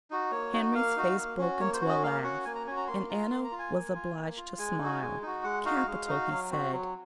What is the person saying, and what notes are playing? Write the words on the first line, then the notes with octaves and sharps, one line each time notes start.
Henry's face broke into a laugh, and Anna was obliged to smile. 'Capital!' he said.
D#4 F#4
A#3 C#5
D#4 F#4
A#3 F5
D#4 F#4
A#3
C#4 F#4
A#3 C#5
C5
C#4 F#4
D#5
A#3 F5
C#4 F#4 F#5
A#3 G#5
A#5
C#4 F#4 G#5
A#5
A#3 C6
F4 A#5
A#3 C6
A#5
F4
G#5
A#3
F4
A#3
F4
G#3 G#5
D#4 F#4
G#3
D#4 F#4
G#3 F#5
D#4 F#4 F5
G#3
D#4 F#4
F#3
C4 F#4
F#3